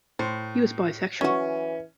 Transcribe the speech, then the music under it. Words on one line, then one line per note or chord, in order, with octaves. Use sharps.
He was bisexual.
A2 C5
E3 F#3 C#4 F#4